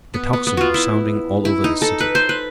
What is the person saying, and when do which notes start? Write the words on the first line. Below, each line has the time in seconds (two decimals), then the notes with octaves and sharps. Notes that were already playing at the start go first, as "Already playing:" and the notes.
The tocsin was sounding all over the city.
0.14 B3
0.33 B3
0.47 B3
0.57 F4 F#4
0.74 E4
1.45 E4
1.64 D#4
1.82 A4
2.00 B4
2.15 C5
2.29 B4